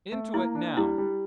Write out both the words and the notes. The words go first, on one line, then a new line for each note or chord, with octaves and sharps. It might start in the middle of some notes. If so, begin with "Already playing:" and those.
Into it, now!
A3
A#3 E4
D4
G3 E4
G3